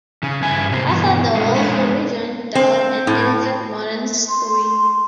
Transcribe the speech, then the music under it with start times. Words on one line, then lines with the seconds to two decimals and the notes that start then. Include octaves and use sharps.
After the war he rejoined Dell and edited Modern Screen.
0.23 C#3 C#4
0.42 G2 E4 G#5
0.70 A2 C3 A3 A#3 C4
0.88 G2 B2 E3
1.35 B2 G#3
1.55 G#3 D4 E4 A4
2.55 C4
3.07 A2
4.29 C6